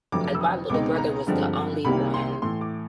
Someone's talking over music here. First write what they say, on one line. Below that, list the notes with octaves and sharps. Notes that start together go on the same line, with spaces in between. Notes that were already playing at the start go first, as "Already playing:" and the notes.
like, my little brother was the only one
F1 F2 D3 F#3 A3 D6
E6
D#6
C#2 B2 G#3 C4 D#4 D6
A#5
G2 D3 F3 G#3 C4
C2 C3 D#3 G3 A#3 B5
C6
A2 E3 A3 C6
D6